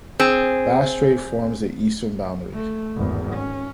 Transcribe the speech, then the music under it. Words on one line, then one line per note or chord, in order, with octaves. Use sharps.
Bass Strait forms the eastern boundary.
C4 G#4
A3
G#1 E2
C#4